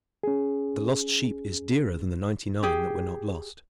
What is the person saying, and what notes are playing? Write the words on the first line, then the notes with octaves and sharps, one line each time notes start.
The lost sheep is dearer than ninety-nine that were not lost.
C#4 G#4
G4 G#4